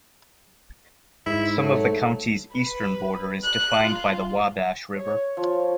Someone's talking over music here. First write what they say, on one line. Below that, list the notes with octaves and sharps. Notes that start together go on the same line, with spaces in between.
Some of the county's eastern border is defined by the Wabash River.
G#2 E4
F#3 A3
B4
F#6
F4
C#5
F3 C#5